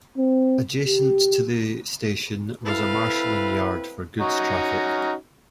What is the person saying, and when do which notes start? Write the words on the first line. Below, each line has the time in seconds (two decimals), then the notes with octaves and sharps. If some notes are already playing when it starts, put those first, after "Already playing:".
Adjacent to the station was a marshalling yard for goods traffic.
0.18 C4
0.87 G4
2.65 C4 E4 A4 B4 F5
4.20 C#4 D#4 F#4